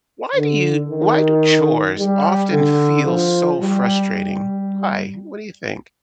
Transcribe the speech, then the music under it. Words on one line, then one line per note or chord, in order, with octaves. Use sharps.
why do you why do chores often feel so frustrating? Why? What do you think?
D3
D#3
G3
D3
F3
G3
G3